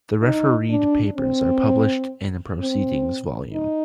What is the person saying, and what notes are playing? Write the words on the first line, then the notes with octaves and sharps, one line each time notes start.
The refereed papers are published in a proceedings volume.
D#4
D4
C4
C4
D#4